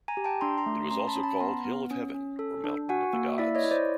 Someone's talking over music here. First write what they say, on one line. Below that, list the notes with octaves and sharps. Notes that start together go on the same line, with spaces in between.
It was also called Hill of Heaven or Mountain of the gods.
G#5 A#5
G4
G5 A5
D4 A#5 C6
A#5 C6
A3
C#4 A#5 C6
A5 B5
C#4
A5 B5
B3 A#5 C6
B3
C#4
C#4
A4
D4
F#4 F#5 G#5
A#3
E4 D5 E5
C#5 D#5
E4
C5 D5